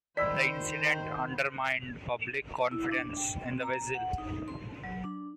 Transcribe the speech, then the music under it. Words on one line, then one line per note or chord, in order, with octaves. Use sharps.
The incident undermined public confidence in the vessel.
D#3 C5 D5 B5 E6 B6
E4
D4
G5
C4
A#5
F#5
D#4
C6
F#3
D4